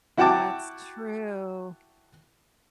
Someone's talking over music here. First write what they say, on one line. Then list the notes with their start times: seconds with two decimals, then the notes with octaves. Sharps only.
That's true.
0.17 E4 F#4 F#5 G5 A5 D6